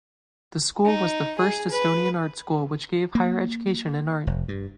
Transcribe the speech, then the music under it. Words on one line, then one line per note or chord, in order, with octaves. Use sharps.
The school was the first Estonian art school which gave higher education in art.
D#4
G#4
B4
A#3
F1
G2